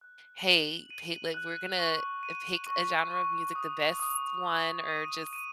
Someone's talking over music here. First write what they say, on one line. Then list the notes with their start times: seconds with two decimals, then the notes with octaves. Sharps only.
"Hey, pay" like, "We're gonna, eh, pick a genre of music, the best one, or just"
0.01 F#6
0.46 F#7
0.90 D#7
1.34 F#6
1.79 C#6
2.23 D#7
2.67 C#6
3.11 C#6
3.55 D#6
3.99 D#6
4.44 D#6
4.88 D#7
5.33 D#7